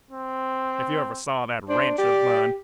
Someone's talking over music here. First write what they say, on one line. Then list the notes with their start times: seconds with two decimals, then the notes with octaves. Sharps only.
If you ever saw that ranch of mine!
0.11 C4
1.69 D4 C5
1.98 G4 D5